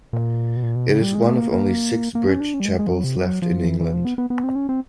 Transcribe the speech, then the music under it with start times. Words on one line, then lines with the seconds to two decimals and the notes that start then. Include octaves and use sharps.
It is one of only six bridge chapels left in England.
0.13 A#2
0.57 B2
0.63 A#2
0.76 B2
0.89 C#3
1.02 G3
1.14 G#3
1.27 A3
1.39 A#3
1.52 A#3
2.15 A#3
2.27 C#4
2.40 D4
2.54 C#4
2.60 G3
2.66 G#3
2.79 G#3
2.87 F3
2.92 F#3
3.04 C3
3.17 F#3
3.42 F3
3.67 E3
3.80 E3
3.93 F3
4.05 B3
4.18 B3
4.30 B3
4.44 C4
4.55 C#4
4.69 C4